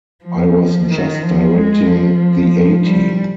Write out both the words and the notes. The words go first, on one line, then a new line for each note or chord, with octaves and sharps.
I was just directing "The A-Team".
F3
D#3
F3
G#3
F3
G3